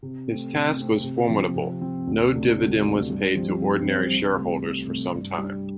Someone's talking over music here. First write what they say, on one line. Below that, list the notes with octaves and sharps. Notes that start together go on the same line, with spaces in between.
His task was formidable; no dividend was paid to ordinary shareholders for some time.
C3
A3 C4
C3
A3 C4
C3
F3 C4
C3
F3 C4
D2
C3 A3 D4
D2
C3 A3 D4
G2
F3 C4 G4 C5
G2
F3 C4 G4 C5
C2
C3 A3
C2
C3 A3
G2
G3
D4